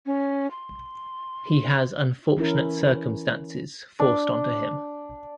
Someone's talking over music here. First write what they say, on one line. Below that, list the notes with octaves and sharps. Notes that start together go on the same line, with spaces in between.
He has unfortunate circumstances forced onto him.
C#4
C6
E3 C#4 E4 A#4
D4